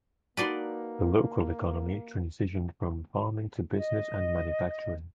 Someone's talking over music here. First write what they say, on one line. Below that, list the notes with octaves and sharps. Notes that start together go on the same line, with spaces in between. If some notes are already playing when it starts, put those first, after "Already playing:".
The local economy transitioned from farming to business and manufacturing.
A#3 D#4 F#4 B4 D5 A5 C6
D#5